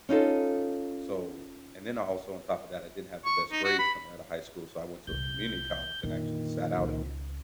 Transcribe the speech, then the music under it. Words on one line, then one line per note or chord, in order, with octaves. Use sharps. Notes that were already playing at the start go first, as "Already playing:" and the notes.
so and then I also, on top of that, I didn't have the best grades coming out of high school, so, I went to a community college and actually sat out a year
C#4 D#4 F4 A4
C#6
D#4
F#4
B5
C2 A#2 G6
F2 A#2 D3 D#3
C#2